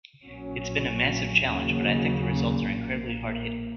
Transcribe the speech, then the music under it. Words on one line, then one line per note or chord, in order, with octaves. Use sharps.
It's been a massive challenge but I think the results are incredibly hard-hitting.
A#1 A#2 F#3 C#4
D#2 C#3 F#3 A#3 C#4
A#1 A#2 A#3